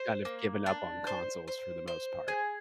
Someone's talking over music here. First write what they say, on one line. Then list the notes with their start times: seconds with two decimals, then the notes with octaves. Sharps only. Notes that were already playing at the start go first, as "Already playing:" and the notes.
kind of given up on consoles for the most part,
Already playing: C5
0.25 A#3
0.66 D4
1.07 C5
1.48 C5
1.88 C5
2.28 G#4